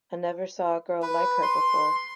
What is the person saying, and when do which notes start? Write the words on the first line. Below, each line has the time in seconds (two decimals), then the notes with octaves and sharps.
I never saw a girl like her before.
1.02 B4
1.42 C6